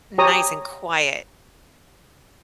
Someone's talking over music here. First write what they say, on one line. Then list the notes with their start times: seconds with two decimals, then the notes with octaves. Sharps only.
nice and quiet
0.18 G4 C#5 A#5 D#6